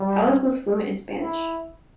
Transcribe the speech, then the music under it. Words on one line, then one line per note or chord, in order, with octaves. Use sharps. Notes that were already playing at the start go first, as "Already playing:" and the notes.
Ellis was fluent in Spanish.
Already playing: G3
E4